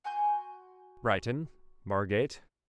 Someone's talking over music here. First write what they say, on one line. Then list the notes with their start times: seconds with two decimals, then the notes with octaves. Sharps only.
Brighton, Margate.
0.04 F#4 G#5 C6 G6